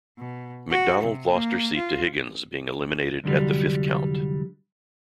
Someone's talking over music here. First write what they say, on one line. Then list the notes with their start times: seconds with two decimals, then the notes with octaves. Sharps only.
McDonald lost her seat to Higgins, being eliminated at the fifth count.
0.18 B2
0.71 F#4
1.03 C3
1.32 A#3
1.76 F4
3.24 C2 F2 D3 F#3 G3